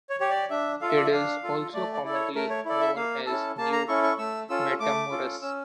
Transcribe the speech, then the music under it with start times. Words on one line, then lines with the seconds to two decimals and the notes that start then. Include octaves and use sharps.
It is also commonly known as New Matamoras.
0.10 C#5
0.20 G4 C#5
0.30 D5
0.50 D4 E5
0.81 F4 A4 F5
0.89 E5
0.97 D5
1.05 E5
1.12 D4 F5
1.43 F4 A4
1.74 A3 D5
1.94 D5
2.04 E4 A4 D5
2.14 C#5
2.35 A3 A#4
2.50 C#5
2.65 E4 A4 D5
2.81 E5
2.96 A#3 F5
3.26 C#4 E4 A4 A5
3.58 A#3 A5
3.72 A#5
3.88 C#4 E4 A4 C#6
4.03 C#6
4.18 A3 E6
4.49 C#4 F4 A4 E6
4.80 A3 D6
5.11 C#4 F4 A4
5.42 C#4 E6